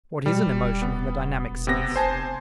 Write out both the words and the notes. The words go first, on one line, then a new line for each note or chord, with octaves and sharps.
What is an emotion in the dynamic sense?
B2 G3
D#1
B3
E1
C3 B3 A#6
F1 C5 G#5 A5